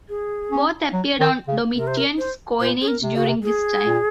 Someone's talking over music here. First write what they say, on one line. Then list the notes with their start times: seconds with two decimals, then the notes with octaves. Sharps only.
Both appeared on Domitian's coinage during this time.
0.09 G#4
0.51 C#4
0.93 F#3
1.20 D#3
1.48 C#3
1.76 C3 A#4
1.87 C5
1.97 A#4
2.18 C5
2.60 A#2 C5
2.81 G#4
2.88 A#4
3.02 C3
3.16 C#3 F#4
3.28 C3
3.43 G#4
3.86 A#2